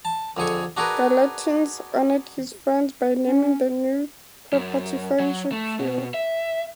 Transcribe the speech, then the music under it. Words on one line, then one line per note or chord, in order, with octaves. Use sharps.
Gallatin honored his friends by naming the new property Friendship Hill.
A5
F2 D3 G#4 C#6
D4 F#4 G#4 A#4 B4
C#4
F#2
F#3
A3
B2
E5